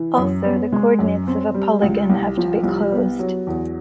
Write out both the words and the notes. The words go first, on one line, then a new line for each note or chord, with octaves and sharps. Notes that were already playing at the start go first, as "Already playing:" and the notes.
Also the coordinates of a Polygon have to be closed.
Already playing: E3
F#2
B3
G#3
F#2
C4
G3
C#2
C2
F3
C2
B3
F#3
E2